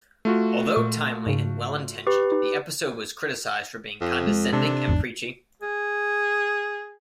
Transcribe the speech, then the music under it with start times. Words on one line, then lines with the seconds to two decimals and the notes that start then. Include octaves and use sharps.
Although timely and well-intentioned, the episode was criticized for being condescending and preachy.
0.25 A3 F4 F#4
0.76 A#2 C#6
1.26 G#2 C#3
2.07 G4 B4 C#6
2.32 D#4
4.01 F2
4.27 G#3
4.53 C3 D4 A4
4.88 G#1 E2
5.62 G#4